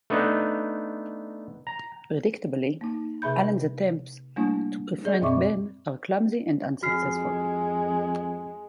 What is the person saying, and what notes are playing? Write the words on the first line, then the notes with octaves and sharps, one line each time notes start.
Predictably, Alan's attempts to befriend Ben are clumsy and unsuccessful.
A3 B3 D4 D#4
A#5
A#3 D#4
C3 G#4 E5 B5 G6
G3 A3 A#3 D4 E4
G#4 D5 D#5
F#2 B2 C4 E5 C#6 D6
F2 G#3 F#4 F6 C7